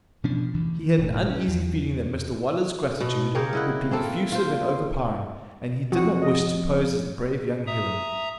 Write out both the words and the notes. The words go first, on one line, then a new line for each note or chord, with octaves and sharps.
He had an uneasy feeling that Mr Waller's gratitude would be effusive and overpowering, and he did not wish to pose as the brave young hero.
B2 F3 C#4 D4
D2 E3
E1 A2
C#4
E2
B2
C#3 G4 A#4 C#5
E4 D#5 F#5
A#3 C4 A4
F4 C5
F2 F#4 F#5
D#5
E5 A#5 D#6